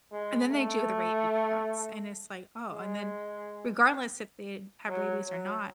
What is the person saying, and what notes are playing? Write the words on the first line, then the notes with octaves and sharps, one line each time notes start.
And then they do the rabies shots, and it's like, "Oh" and then, regardless if they have rabies or not,
G#3
A3
G#3
F#3
F#3